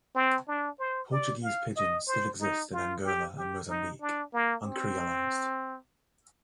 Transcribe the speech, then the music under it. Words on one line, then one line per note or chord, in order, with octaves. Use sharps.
Portuguese pidgins still exist in Angola and Mozambique, uncreolized.
C4
D4
C5
D5
F5
D#5
C5
D#4
F4
G4
G4
D#4
D4
A#3
C4